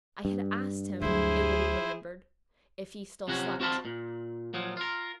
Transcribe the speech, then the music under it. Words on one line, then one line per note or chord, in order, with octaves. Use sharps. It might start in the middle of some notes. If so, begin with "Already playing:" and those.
I had asked him, it will be remembered, if he still slept.
G2
D2 F#3 E4 G#4 C5
C3 F3 F#3 C#4 F#4
C4 F#4 C5 F5 A5 B5
A#2
A#2 F3 F#3
F4 A#4